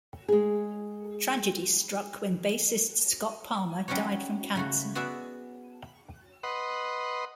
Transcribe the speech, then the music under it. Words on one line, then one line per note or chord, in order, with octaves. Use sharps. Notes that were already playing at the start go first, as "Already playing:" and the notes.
Tragedy struck when bassist Scott Palmer died from cancer.
G#3 G#4
F#3 G3 C#4 D#4 F#4 C#5
C#3 A3 F#4
B3 F#4 G#4 D5 E5
B4 D#5 F#5 C6